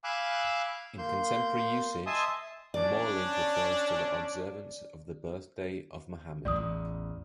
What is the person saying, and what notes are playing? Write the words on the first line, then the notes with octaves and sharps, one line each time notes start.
In contemporary usage, Mawlid refers to the observance of the birthday of Muhammad.
F5 G#5 B5 D6 E6 F#6
A#3 C6 G6
D#5 E5 G#5 A5 C6 D#6
C#4 D4 D5
A1 E2 D5 D#6